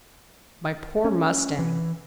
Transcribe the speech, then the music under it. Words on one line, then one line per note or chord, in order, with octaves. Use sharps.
"My poor mustang!"
C#4
E3